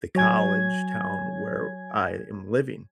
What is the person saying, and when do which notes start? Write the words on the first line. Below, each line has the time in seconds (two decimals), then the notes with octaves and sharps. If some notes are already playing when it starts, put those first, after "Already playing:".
the college town where I am living.
0.15 F#3 C#5 G#5 G#6